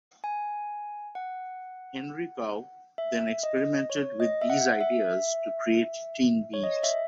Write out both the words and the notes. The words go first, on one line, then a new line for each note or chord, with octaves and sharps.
Henry Cow then experimented with these ideas to create "Teenbeat".
G#5
F#5
E5
D#5
C#5
D#5
E5
F#5
E5
C#5
D#5
E5